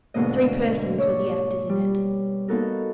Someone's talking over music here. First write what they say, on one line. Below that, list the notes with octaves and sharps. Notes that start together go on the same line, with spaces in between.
Three persons were the actors in it.
D2 G#2 B2 D3 A#3 D#5
C#5 D5 E6
G3
A#3 B3 D#4 F#4 A4 A#4